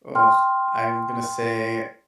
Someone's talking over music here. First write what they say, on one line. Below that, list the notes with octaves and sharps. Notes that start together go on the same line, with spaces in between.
Ugh. I'm gonna say
G5 C6 F6